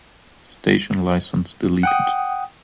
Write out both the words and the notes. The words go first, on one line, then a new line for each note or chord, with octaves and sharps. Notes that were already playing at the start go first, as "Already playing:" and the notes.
Station license deleted.
F#5 G5 D#6